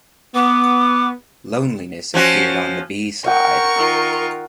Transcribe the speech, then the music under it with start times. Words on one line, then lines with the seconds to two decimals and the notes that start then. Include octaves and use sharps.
"Loneliness" appeared on the B-side.
0.35 B3 D6
2.14 F3 C#4 F#4
3.26 A#4 F#5 G5 C#6
3.76 D#3 F4